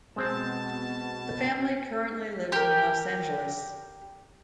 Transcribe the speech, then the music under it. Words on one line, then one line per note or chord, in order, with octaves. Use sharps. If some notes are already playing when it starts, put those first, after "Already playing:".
The family currently lives in Los Angeles.
B2 G#3 C4 C5 A5
G4 A#4